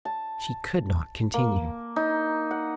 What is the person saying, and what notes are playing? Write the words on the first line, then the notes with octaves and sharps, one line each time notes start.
She could not continue.
A5
A#3
D#4
F#5